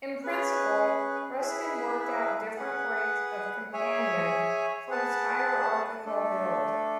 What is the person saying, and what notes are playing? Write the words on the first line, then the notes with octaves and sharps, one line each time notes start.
In principle, Ruskin worked out different grades of "Companion" for his hierarchical Guild.
C#4 G#4 B4
E4 G#4 B4 E5
G#4 B4 F#5
G#4 C#5 E5 G#5
G#4 B4 F#5 A5
A3 D4 A4